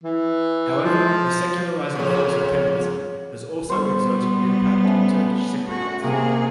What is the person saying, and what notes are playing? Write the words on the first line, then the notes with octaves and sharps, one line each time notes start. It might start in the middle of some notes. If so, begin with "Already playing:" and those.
However, the secularizing force of Kemalism has also exerted an impact on Turkish Cypriots.
E3
F3
F2 C#3
G3 B3 C5 C#6
C#3 A3
F#4
C3 A#3 G4 G#4